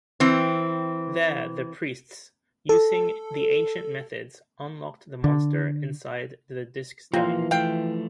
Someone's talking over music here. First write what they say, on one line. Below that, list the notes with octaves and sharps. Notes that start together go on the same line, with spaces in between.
There the priests, using the ancient methods, unlocked the monster inside the disc stone.
E3 C4
A4
D3
E3 F3 A#3 C4 F4
F3 A3 F5 G5